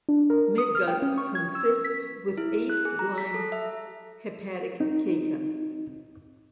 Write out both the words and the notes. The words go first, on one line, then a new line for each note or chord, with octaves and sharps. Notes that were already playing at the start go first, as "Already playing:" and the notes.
Midgut consists with eight blind hepatic caeca.
D4
A#4
D#6
F6
G5
C#4
C#6
G#6
E6
B6
E4
F#6
G#4
A#5
B6
A4
E5
C4 D#4